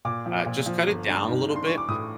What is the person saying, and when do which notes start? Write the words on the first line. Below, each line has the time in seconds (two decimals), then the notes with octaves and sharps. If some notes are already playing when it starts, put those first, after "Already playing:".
Uh, just cut it down a little bit,
0.05 A#2 D6
0.26 F3
0.46 A#2
0.66 F3
0.86 G1
1.07 G2
1.28 D#3
1.48 G2
1.56 C6
1.66 E3 C#6
1.78 D6
1.88 A2 D#6